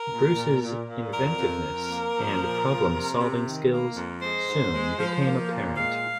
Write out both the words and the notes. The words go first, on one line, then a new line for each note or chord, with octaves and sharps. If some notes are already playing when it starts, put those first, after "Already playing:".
Bruce's inventiveness and problem solving skills soon became apparent.
Already playing: A#4
A#2
A#2
A#2
A#2
F2 A#4
F2
F2
A#3
F3
A#2
F3
C3
C3
D#3
A#3
F2
G#3 C5
G#2
G#3
F3
A#3
A#2
G#3 F5